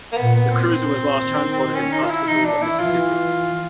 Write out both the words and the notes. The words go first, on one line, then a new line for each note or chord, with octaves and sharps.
The cruiser was last homeported in Pascagoula, Mississippi.
A#3
A#2 B3
B3
C4
A#2
D#3
C#4
D#4
F4
E4
E3 D#4
D4
E4
E3 F4